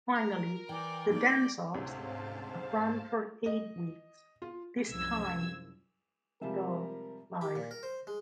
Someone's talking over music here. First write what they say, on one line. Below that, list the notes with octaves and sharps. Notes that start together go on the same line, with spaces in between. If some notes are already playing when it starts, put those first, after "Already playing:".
Finally, the dance-offs, ran for eight weeks, this time though live.
A#4
E3 D5 G5
A#3 D#4 D5
D2 G#2 C3 C#4 C5 F5 A5
D#5
F4
C2 F#2 F3 E6 G#6
C3 F3 G3 G#3 A#4 E5
G4
A#2
A#4
C5
G#3